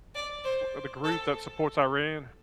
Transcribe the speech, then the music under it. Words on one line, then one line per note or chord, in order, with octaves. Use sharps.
uh, the group that supports Iran?
D5
C5
A4